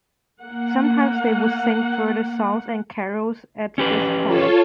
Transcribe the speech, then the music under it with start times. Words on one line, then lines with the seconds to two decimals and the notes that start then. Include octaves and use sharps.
Sometimes they would sing further songs and carols at this point.
0.42 A#3 F#5
3.78 C#4 G4 B4
4.25 F4 A4 C#5